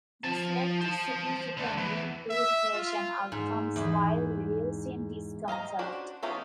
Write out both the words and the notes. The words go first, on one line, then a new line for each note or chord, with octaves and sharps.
This led to significantly improved patient outcomes while reducing discomfort.
F3 A5
C5 A5
D3 A3
E3 B3
E5
F4
G#2
E2
D#5 F5 G#5 A#5
C#4 D4 F#4 C5
E3 B3 C#4 D#4 F4